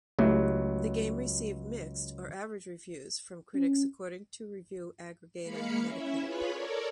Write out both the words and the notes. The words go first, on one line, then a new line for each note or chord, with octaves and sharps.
The game received "mixed or average reviews" from critics according to review aggregator Metacritic.
C#2 F#3 A3 E4 G4
C#4
G#3 A#3 F5 B5 C#7
C#4 E4 E5
F4 G#4 B4 C#5 B5
A4 A#4 C#5 D5